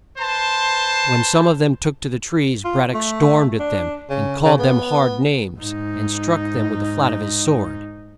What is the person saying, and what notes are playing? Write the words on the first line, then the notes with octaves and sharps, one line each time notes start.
When some of them took to the trees, Brad-dock stormed at them, and called them hard names, and struck them with the flat of his sword.
B4 C5 A5 C6
F4
A3
D4
C#3
C#3
B3
G#2 D#4